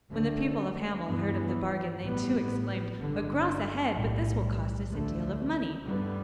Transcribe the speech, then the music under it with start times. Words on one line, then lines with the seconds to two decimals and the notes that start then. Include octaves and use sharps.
When the people of Hamel heard of the bargain, they too exclaimed: 'A gros a head! but this will cost us a deal of money!'
0.11 D2 D3 A3
1.06 G2 E3 B3
2.02 A1 A2 G3 B3
2.97 G1 G2 D3
3.93 B1 A2 G3
4.88 D2 D3 A3
5.84 G2 D3 G3 B3